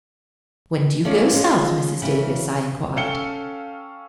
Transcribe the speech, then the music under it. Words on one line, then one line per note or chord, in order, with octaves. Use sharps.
"When do you go South, Mrs. Davis?" I inquired.
F3 A3 C#4 D5
F3 G#3 C#4 F4
C#3 E3
C#4 A4 F5 G5 C#7 G7